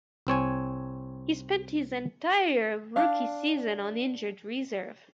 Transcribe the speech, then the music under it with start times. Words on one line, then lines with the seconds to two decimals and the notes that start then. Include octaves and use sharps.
He spent his entire rookie season on injured reserve.
0.27 C2 C4 C#5 G#5
2.96 D4 F5